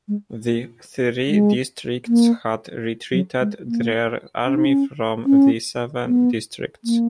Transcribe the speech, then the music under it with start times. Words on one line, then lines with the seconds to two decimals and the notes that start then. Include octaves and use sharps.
The Three Districts had retreated their army from the Seven Districts.
0.08 G#3
1.28 G#3
2.07 A#3
3.13 F#3
3.40 G#3
3.67 A#3
4.46 C#4
4.56 D#4
4.66 C#4
5.25 C#4
6.05 B3
6.84 A#3